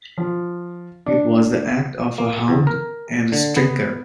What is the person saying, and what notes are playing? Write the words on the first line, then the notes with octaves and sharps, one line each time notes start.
It was the act of a hound and a stinker.
F3
D4
A#3
E2
A#4
D3
B3